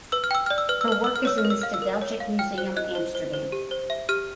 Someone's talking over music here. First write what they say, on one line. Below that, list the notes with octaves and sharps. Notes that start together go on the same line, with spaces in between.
Her work is in the Stedelijk Museum Amsterdam.
B4 E6
F6
G5 E6
D5 F6
E6
B4 F6
E6
B4 F6
B4 E6
F6
C#5 E6
F6
A#4
E6
F5 F6
E6
A#4
C#5
F5
G5 F6
C5 F#6
D#5 F#6
C5
C5
C5
G4
C5
E5
G4 F6